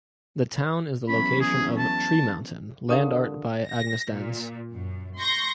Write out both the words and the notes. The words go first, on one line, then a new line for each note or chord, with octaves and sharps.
The town is the location of "Tree Mountain", Land Art by Agnes Denes.
E2 F#3 C#4 B5
G#4
A5
D3 D4 G4 A#4 F5 D#6
A#6
A#2
F#2
C6 C#6 G6 A#6